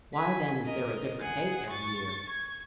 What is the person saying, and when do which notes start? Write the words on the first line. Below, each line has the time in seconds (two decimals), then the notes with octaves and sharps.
Why then is there a different date every year?
0.14 G#5 B6
0.65 A#4 D#5
1.19 G#4 F#5
1.70 C#6 A6
2.29 G#6